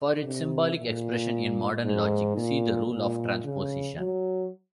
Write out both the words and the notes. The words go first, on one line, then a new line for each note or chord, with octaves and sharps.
For its symbolic expression in modern logic see the rule of transposition.
C3
A#2
G#2
A#2
A#2
C#3
F#3